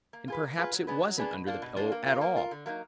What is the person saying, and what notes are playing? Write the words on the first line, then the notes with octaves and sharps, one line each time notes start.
And perhaps it wasn't under the pillow at all....
A#3
F4 G#4 B4
A#3
F4 G#4 B4
F#3
B3 D4 G#4 B4
F#3
B3 D4 G#4 B4
B2
A#3 D4 F4
B2
A#3 D4 F4
A#3
F4 A#4
A#3
F4 A#4
D3
F#3 A#3 D#4